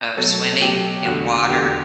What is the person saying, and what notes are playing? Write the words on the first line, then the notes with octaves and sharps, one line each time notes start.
of swimming in water
B2 F#3 A3 A4
B2 F#3 A3 G4
E2 D3 A3 F#4
F#4
E2 D3 A3 G4